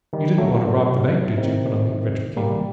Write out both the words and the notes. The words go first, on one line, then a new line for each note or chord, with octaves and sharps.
"You didn't want to rob the bank, did you?" went on the inventor, keenly.
D#3 G3
F#3 A3
C3 D#3
G3 A#3